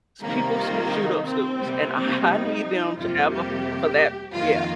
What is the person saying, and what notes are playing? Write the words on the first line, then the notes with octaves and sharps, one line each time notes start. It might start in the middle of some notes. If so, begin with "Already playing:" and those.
s people sc shoot up schools and I need them to have a for that Yeah,
C3 D#3 G3 A#3
F4
D#4
C4
C3 G3 A#3
C4
D#4
F2 C3 G3 A#3 F4
G4
F2 D#3 A#3 F4